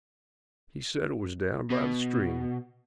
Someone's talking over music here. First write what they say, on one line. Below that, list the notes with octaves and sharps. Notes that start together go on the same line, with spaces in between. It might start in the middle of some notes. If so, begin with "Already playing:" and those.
He said it was down by the stream.
B2